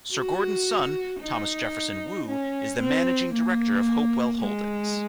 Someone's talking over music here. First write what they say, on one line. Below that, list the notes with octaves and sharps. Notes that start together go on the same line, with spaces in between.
Sir Gordon's son, Thomas Jefferson Wu, is the managing director of Hopewell Holdings.
F#4
D#4
C#4
C4
A#3
G#3